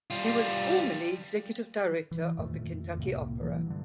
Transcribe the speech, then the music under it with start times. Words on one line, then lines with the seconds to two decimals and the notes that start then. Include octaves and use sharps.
He was formerly executive director of the Kentucky Opera.
0.10 G3 F4
2.11 E3
2.39 F2 A#2 D#3 A3
2.98 C2 A2 C3 A#3
3.41 E3 F#3
3.66 G2 D3